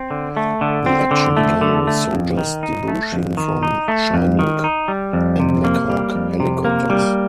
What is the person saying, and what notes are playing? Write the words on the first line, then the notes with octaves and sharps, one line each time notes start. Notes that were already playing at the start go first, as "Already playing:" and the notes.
The action began with soldiers debouching from Chinook and Black Hawk helicopters.
Already playing: C4
D3
A3
D3
C4
D3
A3
D3
A3
F2
D#3
D#4
A3
F2
D#3
D#4
A3
F2
D#3
D#4
G3
F2
C3
A#3
G3
F2
C3
A#3
G3